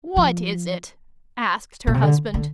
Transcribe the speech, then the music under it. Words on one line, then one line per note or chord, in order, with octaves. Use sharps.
"What is it?" asked her husband.
F3
A#2
C3
D3
D3